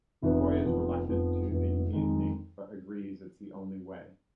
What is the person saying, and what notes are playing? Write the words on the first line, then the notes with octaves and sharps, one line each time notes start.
McCoy is reluctant to the mutiny, but agrees it's the only way.
F1 F2 F3 B3
F1 F2 F3 B3
F1 F2 F3 B3
F1 F2 F3 B3
F2 D#3 G#3 D#4